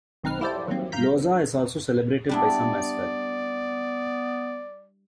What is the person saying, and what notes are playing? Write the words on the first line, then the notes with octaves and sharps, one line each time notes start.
Losar is also celebrated by some as well.
B1 D#3 C4 D#4 B4 F6
E4 G4 A4 C5 D5
D#3 F#3 G3 A#3 C4
G2 F5 A#5 G6 B6
G3 B3 D4 E4 D5